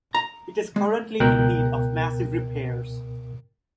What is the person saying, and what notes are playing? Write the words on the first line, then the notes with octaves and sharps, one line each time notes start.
It is currently in need of massive repairs.
A#5
G#3
C#2 B2 A#4 G5 F#6 G6